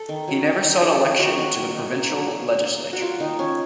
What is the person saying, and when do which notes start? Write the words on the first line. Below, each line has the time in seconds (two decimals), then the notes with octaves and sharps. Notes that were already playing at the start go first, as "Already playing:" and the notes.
He never sought election to the provincial legislature.
Already playing: A4
0.09 D#3
0.28 F#3
0.46 D#3
0.64 D#3
0.82 F#3 A4
1.01 D#3
1.19 D#3 F#4
1.38 D#3
1.55 D#3
1.74 D#3
1.92 A#3
2.11 F#3
2.29 F#3
2.48 A#3
2.65 A#3
2.85 A#3
2.93 F#4
3.02 A#3 F4
3.20 D#3 D#4
3.39 D#3 C#4